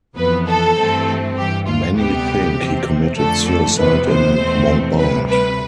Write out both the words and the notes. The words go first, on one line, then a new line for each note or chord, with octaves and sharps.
Many think he committed suicide in Montbard.
F2 E3 B3 B4
A4
G2 E3 A3 C4
G2 E3 G3 G4
F4
D2 C3 G3 B3 G4
E2 C3 F3 C4
F2 D3 F3 A3 A4
A4
F2 C3 E3 B3 B4
C5
E2 B2 A3 C4
D2 C3 G3 B4
B4